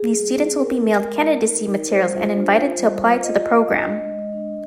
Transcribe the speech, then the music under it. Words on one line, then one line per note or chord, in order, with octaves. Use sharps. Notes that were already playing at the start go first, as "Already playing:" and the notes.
These students will be mailed candidacy materials and invited to apply to the program.
Already playing: G#4
G3
C4
D#4 A#4
G#3
G#3
D#4
D#4
D#4
G3 C5
F4
D4
F4
G3
F4
F4 D#5
F4
D4
G#3
G#3
D4